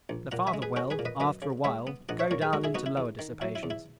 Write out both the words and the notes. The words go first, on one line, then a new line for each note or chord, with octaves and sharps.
The father will, after a while, go down into lower dissipations.
A#1
A#2 F#5 A#5
E5 G#5
G#3
G#4 B4
C#4 F#4 A#4
G#4 B4
A#2
B4 D#5
F#2 B4 D#5
C#3
G#3 C#5 E5
B3
A#1 D#5 F#5
C#5 E5
A#2 A#4 C#5
G#4 B4
G#3 F#4 A#4
E4 G#4
B3 D#4 F#4
E4
E2
D#3
F#3 E4
E4
E2
E4